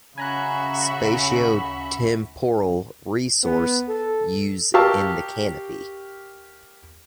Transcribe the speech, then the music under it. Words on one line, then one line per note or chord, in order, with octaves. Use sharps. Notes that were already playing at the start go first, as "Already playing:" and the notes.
Spatio-temporal resource use in the canopy.
C#3 C#4 F#4 E5 G#5 A#5 B5 F#6
B3
A4
G4 A#4 F5 A5 C#6 E6